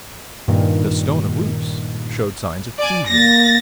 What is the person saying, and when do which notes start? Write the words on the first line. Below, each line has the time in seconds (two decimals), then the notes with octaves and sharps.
The stone of Luce showed signs of fusion.
0.48 G2 A#2 D#3
2.79 D5 G#5
3.09 A#3 A6 A#6